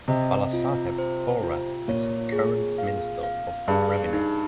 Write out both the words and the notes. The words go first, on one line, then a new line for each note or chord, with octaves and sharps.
Balasaheb Thorat is Current Minister of Revenue.
C3 D#5
F4
C5
F4
A#2 C#5
G#4
F5
F5
G2 G#4
D#4